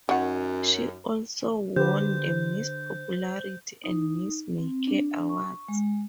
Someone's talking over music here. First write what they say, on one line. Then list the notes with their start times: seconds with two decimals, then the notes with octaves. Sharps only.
She also won the "Miss Popularity" and "Miss May Care" awards.
0.09 F#2 D#3 F#5
1.76 D3 G4 B4 C5 G6
3.84 D#4
4.58 C4
4.87 D4
5.29 C#6
5.68 G#3